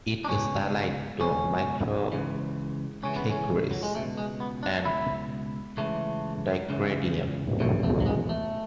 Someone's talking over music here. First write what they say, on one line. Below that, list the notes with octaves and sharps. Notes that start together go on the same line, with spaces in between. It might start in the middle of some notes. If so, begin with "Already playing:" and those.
It is allied to "Microcachrys" and "Dacrydium".
D4
C#2 B2 C#4
C#2 B2 C#4
C#2 C#3 E3
C#2 C#3 E3 C#4
B3
C#4
F#3
G#3
C#2 B2 A3
G#3
B3
D4
C#2 B2 E4
C#2 C#3 E3 A3
C#2 C#3 E3
E2 B2 A3
A3
F#3
G#3
A3